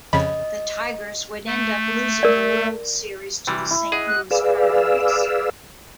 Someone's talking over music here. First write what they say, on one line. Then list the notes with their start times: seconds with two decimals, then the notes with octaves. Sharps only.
The Tigers would end up losing the World Series to the Saint Louis Cardinals.
0.13 F2 C#3 C#4 D#5 B5
1.46 A3
2.23 A#4 D5
3.47 C3 E3 G3
3.71 E4
3.92 G#4 D#5 F#5
4.07 F#6
4.31 G#4 B4 D5 F5 E6